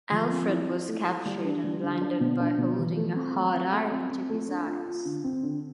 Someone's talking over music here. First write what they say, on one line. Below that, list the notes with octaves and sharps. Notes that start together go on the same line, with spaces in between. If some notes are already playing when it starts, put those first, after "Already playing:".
Alfred was captured and blinded by holding a hot iron to his eyes.
F3
C4
E4
E4
A3
E4
G3
D4
G3
D3
D4
B2
D4
B2
E3
A3
C4
A3
C4
A3
C4
C4
A3
D4
F4
F4
D3
C4
D3